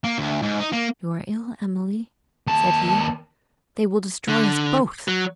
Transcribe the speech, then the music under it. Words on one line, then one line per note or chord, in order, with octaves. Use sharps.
'You are ill, Emily,' said he, 'they will destroy us both!
A#3
D2
G#2
D#4
A#3
D#2 A5
D3
F#3